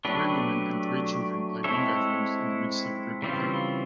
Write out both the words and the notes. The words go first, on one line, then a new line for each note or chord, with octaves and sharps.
Three women and three children play bongo drums in the midst of a group of people.
F#3 A3 D4 G4 B4
G#3 C4 E4 A4 C#5
C#3 E3 G3 C4 F4